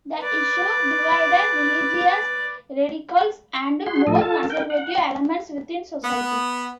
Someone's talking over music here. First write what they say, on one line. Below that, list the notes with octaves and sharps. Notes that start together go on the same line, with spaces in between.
The issue divided religious radicals and more conservative elements within society.
B4 D5
F#4 G#4 C6
A2 F3 A4 D#5
F4 A4 A5
A#4 G5
F#5
B3